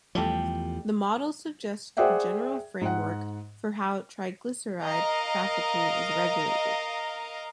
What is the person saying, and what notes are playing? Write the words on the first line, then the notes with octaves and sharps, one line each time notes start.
The model suggests a general framework for how triglyceride trafficking is regulated.
E2 F3 G3 A3 G4
G#4 C5 D5 E5 F#5 G5
G#2 F#5
A#4 D#5 F5 A#5